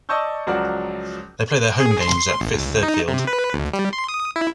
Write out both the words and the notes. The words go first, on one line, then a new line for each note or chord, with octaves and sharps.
They play their home games at Fifth Third Field.
D5 D#5 A5 C#6 E6 G6
C#2 F3 F#3 F#4 A#4 D5
G#4
C6
A1
C#2
D#4
C3
B4
D2
G3
C6
D#6
E4